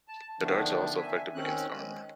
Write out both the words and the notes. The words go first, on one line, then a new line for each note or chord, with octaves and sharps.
The darts are also effective against armour.
A5
D3 D#3 F3 A3 B3 D4
E5 G#5
D#3 C4 C#4 F#6
G#3